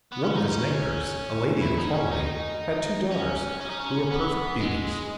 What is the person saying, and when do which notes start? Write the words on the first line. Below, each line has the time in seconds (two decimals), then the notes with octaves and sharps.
One of his neighbours, a lady of quality, had two daughters who were perfect beauties.
0.12 B3
0.23 C#4
0.37 D#4
0.49 C#4
1.61 E4
1.78 D#4
1.94 C#4
2.11 D#4
3.11 C#4
3.60 C#4
3.70 D#4
3.80 C#4
4.11 B3
4.60 G#3